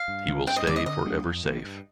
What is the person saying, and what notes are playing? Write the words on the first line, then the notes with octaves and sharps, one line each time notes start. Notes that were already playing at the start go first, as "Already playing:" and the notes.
He will stay forever safe.
Already playing: F5
G2
D3 G#3
G2 G5
D#5
D#3 G#3 D5
D#5
D3 D#5
G3 A#3 D4
F2
D#3 A#3
G2